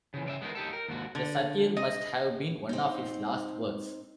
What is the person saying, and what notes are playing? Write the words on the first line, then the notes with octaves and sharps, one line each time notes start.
The "Satyr" must have been one of his last works.
C#3 E3
C#3 D5 E5
G#3 B3 D#4 A#4
D#4 G4 A4
A#4
D#2 G#2 F#4
D3
D#5
C4 D#4